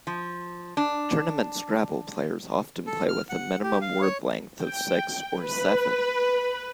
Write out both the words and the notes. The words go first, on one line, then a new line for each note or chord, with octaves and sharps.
Tournament Scrabble players often play with a minimum word length of six or seven.
F3
D4
A4
F6
F#5
G4
F5
C#5
G5
B4